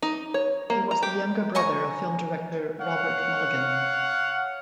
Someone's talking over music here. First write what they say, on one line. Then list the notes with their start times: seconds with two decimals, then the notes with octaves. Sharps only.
He was the younger brother of film director Robert Mulligan.
0.02 D#4
0.34 C#5
0.70 A#3
0.91 A#5
1.03 G4
1.55 D#5 G#5 A#5 C#6
2.80 C#5 F5 F#5